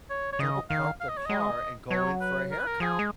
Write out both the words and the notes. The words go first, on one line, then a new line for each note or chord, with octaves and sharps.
double-park their car and go in for a haircut.
C#5
C#5
C#3 D#5
D#3 F5
F5
D#5
C#5
G#3 D#5
F#3 C#5
B4
A#4
B4
A#4
F3 G#4
G#3